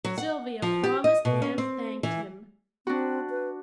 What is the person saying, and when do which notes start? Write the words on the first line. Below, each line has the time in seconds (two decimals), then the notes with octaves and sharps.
Sylvia promised and thanked him.
0.04 F#3
0.18 F#5
0.62 F3
0.84 G4
1.04 D#5
1.25 B2
1.42 C#4
1.58 C4
2.03 E3
2.87 C4 D4 F#4
3.30 B4